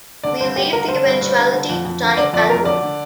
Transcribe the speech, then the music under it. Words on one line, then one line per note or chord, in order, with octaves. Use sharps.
We leave the eventuality to time and law.
D3 D5
G2 C5
G2 G4
D3 A#4
D3 C5
G2
G2
D3
D3
F2
F2
D3
D3 D5
F2 D5
F2 A#4
D3 D5
D3